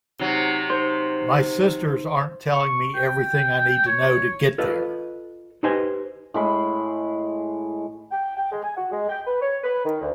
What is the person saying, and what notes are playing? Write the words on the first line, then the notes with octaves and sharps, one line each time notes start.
My sisters aren’t telling me everything I need to know to get there.
C3 F#3 D#4 C5
D#4 C5
C#6
G5
C#5
F4 A4 B4 D#5
D#4 G4 B4 C5 D#5 G#5
A2 G#3 B5
G5
G5
G#3
G#5
F#4
G#3
G5
B4
C#5
B4
D#3
D2